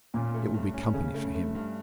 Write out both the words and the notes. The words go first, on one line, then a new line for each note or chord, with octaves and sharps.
It will be company for him.'
A#2 C#4
A3
G2
C#4
C#3 C#4
A3
A3
G2